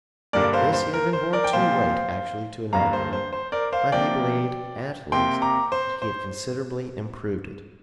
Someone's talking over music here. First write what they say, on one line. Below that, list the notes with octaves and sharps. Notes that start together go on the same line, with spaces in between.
This he had been born too late actually to inaugurate, but he believed at least, that he had considerably improved it.
G2 D3 G3 A#3 A#4 D5
C5 F5
C5
A#4
C5
A#4 D5
G5
A#2 F3 C4 C5 F5
G2 D3 G3 A#3 F5 A#5
C5
C5
C5
A#4 D5
C5 F5
C3 F3 A#3 D5 G5
C3 A#3 G5 C6
A#5 D6
C5
C5